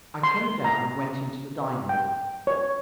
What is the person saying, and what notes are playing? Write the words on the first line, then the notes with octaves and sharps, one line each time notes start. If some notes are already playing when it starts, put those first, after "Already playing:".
I came down and went into the dining room.
C6
A#5
G5
C#5